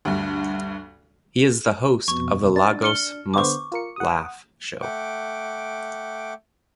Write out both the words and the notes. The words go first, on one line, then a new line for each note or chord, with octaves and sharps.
He is the host of the "Lagos Must Laugh" show.
D2 G2
F2 B2 C#6
D4 A6
F6 C#7 G7
D3 B3 C5 C#6 D6
F4 A#4 C#7
F#5 D#6
A3 F#5 G5 D6